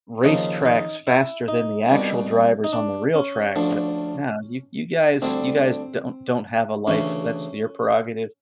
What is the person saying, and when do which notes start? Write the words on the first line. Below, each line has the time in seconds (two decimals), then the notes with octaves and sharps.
racetracks faster than the actual drivers on the real tracks, eh no, you you guys you guys don't don't have a life, that's your prerogative,
0.24 D#2 C#3 F3 D#4
0.65 D#4
1.07 E4
1.48 D#4
1.90 C2 B2 G3
2.64 D#4
2.73 D4
3.15 C#4
3.56 D2 D3 F3
5.22 D2 D3 G3 C4
6.87 D2 C#3 E3 C#4